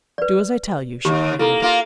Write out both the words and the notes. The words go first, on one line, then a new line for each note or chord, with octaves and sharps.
"Do as I tell you," she commanded.
B4 D5
D#2 G4
A#3 E4 A4 A#5
A#3 F4